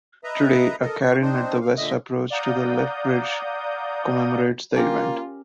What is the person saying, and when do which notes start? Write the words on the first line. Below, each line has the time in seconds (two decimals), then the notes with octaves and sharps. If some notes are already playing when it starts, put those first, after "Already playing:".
Today, a cairn at the west approach to the lift bridge commemorates the event.
0.24 B4 D#5 E5 A#5
0.81 A4 A#4 D#5
1.01 C#6
1.22 C4 D4 D#4 C5
1.61 F5
1.77 A#2 D3 D#5 E5
2.30 D5 F5 F#5 A#5 D#6 G6
4.76 A#3 C#4 F4 G4 A#4